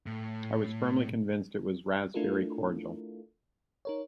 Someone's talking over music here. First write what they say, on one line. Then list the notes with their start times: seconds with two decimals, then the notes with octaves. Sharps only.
I was firmly convinced it was raspberry cordial.
0.06 A2
2.14 A3 D4 E4 F4 A4 A#4
3.85 D#4 A#4 C#5